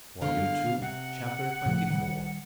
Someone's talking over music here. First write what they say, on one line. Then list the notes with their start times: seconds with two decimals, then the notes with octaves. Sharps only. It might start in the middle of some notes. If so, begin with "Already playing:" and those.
Volume Two, Chapter XXIV.
0.21 E2 D3 G#3 F5
0.82 C3 F#5
1.66 A2 F3 A3
1.90 D#3 G3